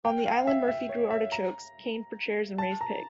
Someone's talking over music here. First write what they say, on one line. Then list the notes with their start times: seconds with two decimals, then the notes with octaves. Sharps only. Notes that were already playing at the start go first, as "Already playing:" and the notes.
On the island Murphy grew artichokes, cane for chairs and raised pigs.
0.05 G5
0.26 F5
0.47 E5
0.68 E5
0.89 C#5
1.10 E5
1.32 A#5
2.58 A5
2.81 A#5